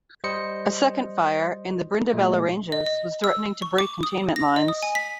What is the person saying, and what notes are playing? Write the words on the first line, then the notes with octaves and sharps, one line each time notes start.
A second fire, in the Brindabella Ranges, was threatening to break containment lines.
G3 C5 D#5 C#7
A#2 G#3 A3
D#5
D#5
E6
C#6
D6
D#6
A#6
D#5
D#6
G#5
B6